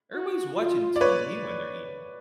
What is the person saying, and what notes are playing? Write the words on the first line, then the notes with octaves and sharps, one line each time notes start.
everybody's watching TV when they're eating."
F#4
F4
D5
B4 C#5